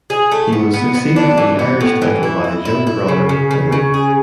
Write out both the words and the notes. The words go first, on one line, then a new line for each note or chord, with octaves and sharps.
He was succeeded in the Irish title by his younger brother, Henry.
G#4
A3
B3
B3
B3
D4
E3
B3
A2
E3
E4
E4
E4
E4
C#3
C#3
C#3
C#3
G#4